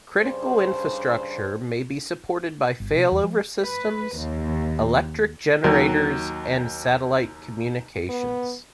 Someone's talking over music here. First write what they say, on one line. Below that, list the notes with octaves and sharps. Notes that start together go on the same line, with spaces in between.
Critical infrastructure may be supported by failover systems, electric generators, and satellite communications.
G2 C#3 D4 C5
G1
C3
E2
F3
B4
D#2
D#2 F#3
B3